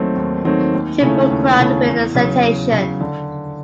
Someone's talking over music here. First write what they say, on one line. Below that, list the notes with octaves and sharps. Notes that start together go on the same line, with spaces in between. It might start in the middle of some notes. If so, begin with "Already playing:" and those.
Triple Crown winner Citation.
Already playing: D#2 D#3 F#3 A3 C4
D#2
D#3 F#3 A3 C4
D#2
C#3 E3 A3 C#4
D#2
C#3 E3 A3 C#4
E2
C#3 F#3
E2
C#3 F#3
D3